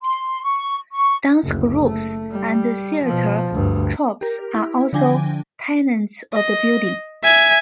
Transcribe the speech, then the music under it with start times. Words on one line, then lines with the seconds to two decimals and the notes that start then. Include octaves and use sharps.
Dance groups and theater troupes are also tenants of the building.
0.01 C6
0.42 C#6
0.91 C#6
1.43 F#1 D2
1.84 A3
2.31 G3
3.05 B2 F3
3.51 D2 G2
4.21 G4 A#4
4.54 E4
4.93 D3 F3 D4 G5 G#5 A#6
6.34 D#5
7.23 E5 G#5